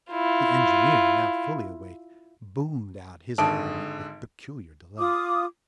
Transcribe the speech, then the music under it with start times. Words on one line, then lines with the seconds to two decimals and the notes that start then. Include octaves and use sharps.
The engineer, now fully awake, boomed out his agreement with peculiar delight.
0.11 E4 F4
3.38 G#1 D3 A5 D#6 D7
4.98 F4 D6 D#6